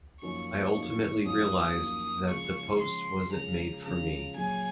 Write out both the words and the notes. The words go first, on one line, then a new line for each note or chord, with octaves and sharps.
I ultimately realized that that post wasn’t made for me.
F#2 F3 A#3 D#4 F#4 C#6
F#2 F3 A#3 D#4 F#4
F#2 F3 A#3 D#4 F#4 D#6
F#2 F3 A#3 D#4 F#4
C#3 F3 G#3 C#6
C#3 F3 G#3 C6
C#3 F3 G#3 A#5
C#3 F3 G#3 A#5
A#2 F#3 C#4 G#4 G#5